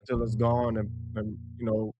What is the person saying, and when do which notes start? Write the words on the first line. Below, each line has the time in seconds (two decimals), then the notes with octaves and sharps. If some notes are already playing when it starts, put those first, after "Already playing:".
until it's gone and and, you know,
0.15 F2 A#2